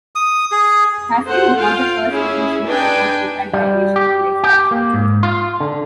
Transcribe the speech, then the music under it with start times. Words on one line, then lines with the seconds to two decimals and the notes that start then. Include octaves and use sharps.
Haskell was not the first physician to perform intact dilation and extraction.
0.15 D#6
0.52 G#4
1.25 A4 C5 F#5
1.56 F4 F5 G5
2.08 C#4 E4 G#4
2.65 D4 D#4 B4 G5 G#5
3.53 G3
3.96 G4
4.44 G4
4.71 A#3
4.94 G#2
5.23 F4
5.60 D3